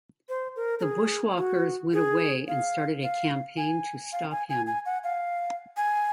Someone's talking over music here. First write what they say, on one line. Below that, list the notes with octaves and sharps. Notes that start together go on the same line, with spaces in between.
The bushwalkers went away and started a campaign to stop him.
C5
A#4
A#4
G#4
F#4
G#4
F5
F5
G#5
F5
G#5
G#5
G#5
F#5
F5
G#5